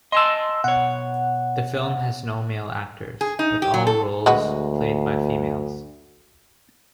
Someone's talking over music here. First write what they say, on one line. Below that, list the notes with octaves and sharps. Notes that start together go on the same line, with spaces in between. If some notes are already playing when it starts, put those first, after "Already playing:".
The film has no male actors, with all roles played by females.
D#5 G#5 A5 C6 E6
B2 C#5 F#5
G#4
D#4
G4
F#3
A4
D2 G#3 F#4 B4